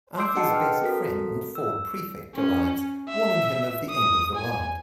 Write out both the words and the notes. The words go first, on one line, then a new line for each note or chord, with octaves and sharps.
Arthur's best friend, Ford Prefect, arrives, warning him of the end of the world.
C6 D6 E6 G6 C7 D7
D4 G#4 D#5 F#5 A5 C#7
B4 G5 F6
C4 F#4 A4 A#4 B6
E6
C#4
E5
D#6
G#5